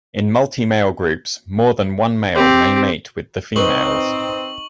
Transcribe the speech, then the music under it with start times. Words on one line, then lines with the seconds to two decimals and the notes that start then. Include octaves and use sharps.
In multi-male groups, more than one male may mate with the females.
2.35 C4 G4
3.56 C4 D#4 B4 C5 C#6 F#7